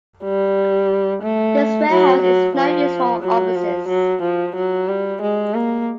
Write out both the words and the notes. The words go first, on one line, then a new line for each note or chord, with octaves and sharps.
This warehouse is now used for offices.
G3
A3
F#3
F#3
F3
F#3
F3
F#3
F3
F#3
G3
G#3
A#3